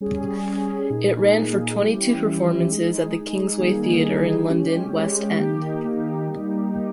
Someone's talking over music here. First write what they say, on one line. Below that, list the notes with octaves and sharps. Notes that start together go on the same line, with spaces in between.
It ran for twenty two performances at the Kingsway Theatre in London West End.
G3 C#4 G#4
G3 C#4 G#4
A#2 A#3 D#4 G#4
A#2 A#3 D#4 G#4
E3 G3 C#4 E4 G4
E3 G3 C#4 E4 G4
G#3 D#4 G#4
G#3 D#4 G#4
D#3 G3 A#3 D#4 G#4
D#3 G3 A#3 D#4 G#4
G#3 C#4 G4
G#3 C#4 G4
D#3 A#3 D#4 G4
D#3 A#3 D#4 G4
G3 A#3 D#4 G4
G3 A#3 D#4 G4